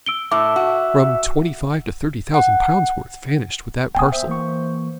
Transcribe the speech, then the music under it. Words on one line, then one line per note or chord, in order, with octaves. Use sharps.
"From twenty-five to thirty thousand pounds' worth vanished with that parcel."
E6 D7 G7
A2 E5 D6
F#4
F#5
B3 G5 G#5 D#6
C5 E5
E3 A#3 C#6